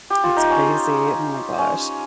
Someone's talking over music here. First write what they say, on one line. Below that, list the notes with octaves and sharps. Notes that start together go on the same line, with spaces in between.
It's crazy. Oh my gosh.
G4
F4
D#4
C#4
C#4